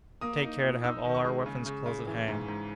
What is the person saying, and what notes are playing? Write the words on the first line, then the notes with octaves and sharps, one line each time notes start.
Take care to have all our weapons close at hand.
A#3 D#6
D#4
A#2
D#4 E6
D#3
C#6
G#3
C#3
C#3
C#3
E3
G#2
G#2